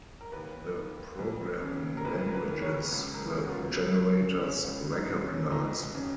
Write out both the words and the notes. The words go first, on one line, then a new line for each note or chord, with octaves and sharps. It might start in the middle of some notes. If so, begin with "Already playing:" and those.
The programming languages the generators recognize.
A#4
D#2 B4
D#3
F2
C#3
A#4
F2 B4
A#4
B4
D#3
C#5
C#2
A#4
G#4
C#3
F#4
F4
B3
C#2 C#4
C#3
C#4
C#2 C#4
D#4
B2
C#4
F2 D#4
C#3